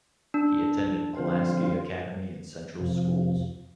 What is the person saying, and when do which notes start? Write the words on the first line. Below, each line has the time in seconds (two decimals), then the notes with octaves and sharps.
He attended Pulaski Academy and Central Schools.
0.34 D4
1.15 D3 F3 C4 F4 C5
2.79 F2 C3 F3